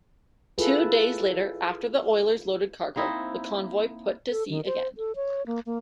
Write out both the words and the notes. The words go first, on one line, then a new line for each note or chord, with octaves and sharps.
Two days later after the oilers loaded cargo, the convoy put to sea again.
E4 F4 G#4 A4 B4
A#3 C4 D#4 E4
A4
D#3
C5
A4
C#5
A#3
A#3